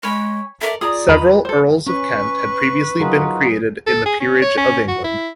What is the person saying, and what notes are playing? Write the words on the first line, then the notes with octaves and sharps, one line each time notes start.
Several Earls of Kent had previously been created in the Peerage of England.
G#3 C#5 G#5 B5 F6
A4 A#4 D5 E5
F4 G#4 D5 A#5 D#6
E2 D3 B4 A#5 B5
A4 C5
C#4 B4 C#6
F#3 D#4 F4 F#4 G#4 A#4
A4
G#4
C#4
C#5
C#4
F#4
E4